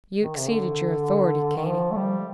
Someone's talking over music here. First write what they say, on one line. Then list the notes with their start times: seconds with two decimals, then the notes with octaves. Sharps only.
"You exceeded your authority, Katie."
0.21 D#3
0.38 C3
0.50 D3
1.56 D#3
1.66 F3
1.91 A3
1.96 G3